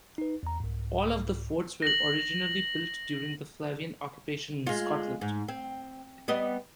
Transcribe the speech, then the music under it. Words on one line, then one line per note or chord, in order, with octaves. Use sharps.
All of the forts were originally built during the Flavian occupation in Scotland.
D#4 B4
E2 A#5
C2 G#2
A#6 F#7
G#3 F4
G#2
C4
G3 B3 D#5